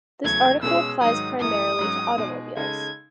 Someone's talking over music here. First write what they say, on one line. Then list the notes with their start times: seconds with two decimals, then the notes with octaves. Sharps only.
This article applies primarily to automobiles.
0.24 E2 C#3 F#3 A3 G#6
0.63 B2 G#3 C#4 G#4 E6
1.01 G#2 D#3 F#3 D#6
1.40 F#2 E3 A3 D#6
1.79 G#2 F#3 C#4
2.18 B2 G#3 D#4 G#4
2.57 C#3 G#3 D#4 A4 G#6